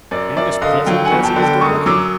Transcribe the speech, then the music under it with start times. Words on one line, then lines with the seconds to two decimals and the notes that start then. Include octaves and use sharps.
And as pleasant as he is good-looking.
0.11 F#2 D5
0.36 F#2 D5 E5
0.61 D3 D#5 F5
0.86 F#3 F5 G5
1.05 F#5 G#5
1.12 G1
1.23 G5 A5
1.36 D3
1.42 G5 A5
1.61 F#2 C#6 D#6
1.86 F#3 D6 E6